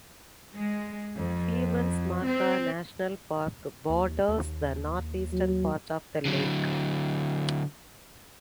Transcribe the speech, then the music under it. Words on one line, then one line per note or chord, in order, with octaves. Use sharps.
Femundsmarka National Park borders the northeastern part of the lake.
G#3
F2
C4
D#2
D#2
F#3
D3 F#3